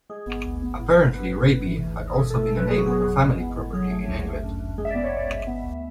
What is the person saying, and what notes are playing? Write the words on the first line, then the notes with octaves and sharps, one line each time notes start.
Apparently "Raby" had also been the name of a family property in England.
G#3 G#4
B3
D2
B3
A2
A2
B3 B4
G#2
G#2
E3
D2
D2
G#4
B2 A4
A4
A3
A4
B2 B4
F#3 G#4
F#4
B3 G#4
E2
G#3
B3
A2
F#3 G#4
A3
D2
A3
F#2
F#2
G#3 G#4
E5
D5
B3
C#5
C#2 D5
G#3 E5
B3
D2